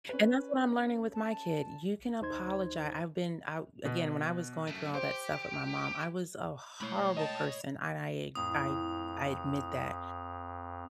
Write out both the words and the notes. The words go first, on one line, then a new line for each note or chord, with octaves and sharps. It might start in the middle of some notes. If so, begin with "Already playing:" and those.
And that's what I'm learning with my kid. You can apologi I've been I again, when I was going through all that stuff with my mom, I was a horrible person, I I I I admit that.
C#4 B4
A5
D2 D#4 C5 C6 G#6
B2
F#2 A3
G4 C5
G#3 A3 E4 C#5 B5
D#5 G5 A5
F2 A2 E3 D#6